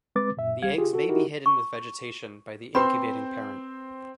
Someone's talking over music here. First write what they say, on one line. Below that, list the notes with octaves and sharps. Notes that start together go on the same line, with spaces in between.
The eggs may be hidden with vegetation by the incubating parent.
G#3 C4 B4 D6 A6
F#2 A#2 E5
C2 G3 G4 F5 G#6
F4 G4 G#4
F#4 A4
D#4 E4 F#4 G4 A#4
C#6
C4 G4 B4 C5 B5 C6